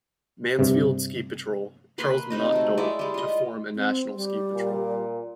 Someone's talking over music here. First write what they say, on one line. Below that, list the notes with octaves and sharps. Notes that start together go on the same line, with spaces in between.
Mansfield Ski Patrol, Charles Minot Dole, to form a national ski patrol.
G2 C3
A#3 B4 B5 C6
C3 D#4 D#5
F#3 A3
G#3 E4 D5
G3 G#3
F4 D#5
C4
G3
A#2